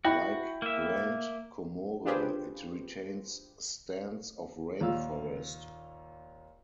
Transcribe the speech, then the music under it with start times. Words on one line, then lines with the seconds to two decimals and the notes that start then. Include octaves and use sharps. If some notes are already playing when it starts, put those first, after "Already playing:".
Like Grande Comore, it retains stands of rain forest.
0.05 E4 F#4 G5 B5
0.62 A#3 E5
2.05 D4 F4 G4 G#4 B4 C5
4.81 D#2 A#2 F4 F5 E6